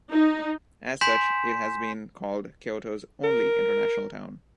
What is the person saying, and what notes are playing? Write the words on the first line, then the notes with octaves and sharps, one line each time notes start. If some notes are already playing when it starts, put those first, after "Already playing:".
As such, it has been called "Kyoto's only international town".
D#4
G#5 C6 G6 B6 E7
A#4